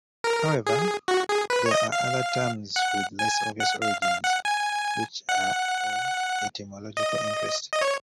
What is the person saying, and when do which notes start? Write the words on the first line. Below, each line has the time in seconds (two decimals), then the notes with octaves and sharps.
However, there are other terms with less obvious origins, which are of etymological interest.
0.24 A#4
0.66 G#4
1.08 F#4
1.29 G#4
1.50 B4
1.66 C#5
1.71 D#5
1.92 F5
2.76 F#5
3.19 G#5
3.60 F#5
3.82 F5
4.02 F5
4.24 F#5
4.45 G#5
5.29 F#5
6.97 D#5
7.73 D#5
7.81 C#5